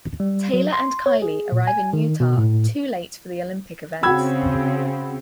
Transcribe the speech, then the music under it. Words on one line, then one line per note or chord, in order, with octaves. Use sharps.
Taylor and Kylie arrive in Utah too late for the Olympic events.
G3
F#3
C6
C#5
G#4
A#2
G#5
D#3
B2
A2
C#3 C4 F#4 G5 B5 E6 G#6